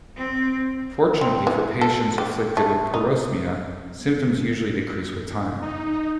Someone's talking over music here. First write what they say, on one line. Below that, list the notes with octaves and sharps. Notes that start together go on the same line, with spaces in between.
Fortunately for patients afflicted with parosmia, symptoms usually decrease with time.
C4
C4
E3
A4
G4
A3
D#4
D#4